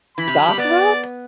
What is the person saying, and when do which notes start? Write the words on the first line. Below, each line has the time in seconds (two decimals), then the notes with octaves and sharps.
goth rock?
0.17 E3 B5
0.28 C3
0.37 F#3
0.48 G3
0.58 B3 D5